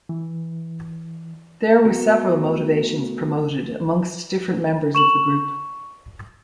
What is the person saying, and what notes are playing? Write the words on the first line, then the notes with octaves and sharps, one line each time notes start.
There were several motivations promoted amongst different members of the group.
E3
A3 B3 F#4 A#4
C#6 E7 F#7